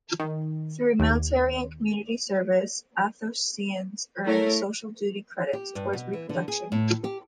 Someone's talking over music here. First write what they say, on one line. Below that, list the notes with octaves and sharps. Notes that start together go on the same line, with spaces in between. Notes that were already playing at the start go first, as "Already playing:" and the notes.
Through military and community service, Athosians earn "Social Duty Credits" towards reproduction.
D#3
D#2
A3 E4 A#4 C#5
G4
G2
B2
E3
D3
G#4
A2
G4